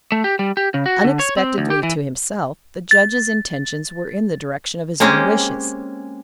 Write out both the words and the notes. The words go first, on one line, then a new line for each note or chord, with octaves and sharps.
Unexpectedly to himself, the judge's intentions were in the direction of his own wishes.
A3
G4
G3
G4
C#3
F#4
D3
C#5
C4
D2
G4
E3
A6
G#3 A#3 C4 C#4 G4 D#5